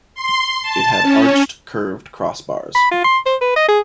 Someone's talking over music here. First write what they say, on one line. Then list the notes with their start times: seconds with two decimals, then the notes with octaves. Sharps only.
It had arched, curved crossbars.
0.15 C6
0.62 A5
1.02 C#4
2.75 B5
2.91 F4
3.04 C6
3.26 C5
3.41 B4
3.56 D#5
3.68 G#4